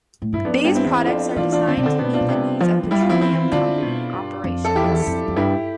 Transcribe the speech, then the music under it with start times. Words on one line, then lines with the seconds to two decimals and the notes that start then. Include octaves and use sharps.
These products are designed to meet the needs of petroleum company operations.
0.22 A2
0.33 G2 E4
0.44 F2 B3 D4
0.65 G2
0.75 C4 E4
0.85 E2
1.06 F2 D4 F4
1.36 E3 D4 F4
1.52 D4 F4
1.67 D3 C4
1.77 C3 D4
1.83 D3 C4
1.98 B2 B3 D4
2.13 D4 F4
2.20 B2
2.28 C3 B3 D4
2.60 F3
2.83 F3
2.91 G3 E4
3.01 F4
3.09 F3 C4 E4
3.21 C4 E4
3.32 E3
3.52 D3 D4 F4
3.82 B2
4.13 G2
4.44 F2
4.65 A4
4.75 E2 E4 G4
4.84 F2
4.91 E2
5.07 F2
5.28 F2
5.36 G2 E4 G4